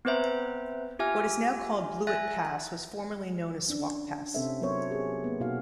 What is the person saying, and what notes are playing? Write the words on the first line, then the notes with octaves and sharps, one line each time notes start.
What is now called Blewett Pass was formerly known as Swauk Pass.
B3 C4 B4 C5 E5 A#5
F4 G4 E5 G#5 F6
E5 G#5 F#6 A6 A#6
C#4 D4
C3 C4 C#4 A4 C5 E5
F#3 B3 A#4 C5 C#5
G4 G#4
A#3 B3
B2 D#4 F#4 F5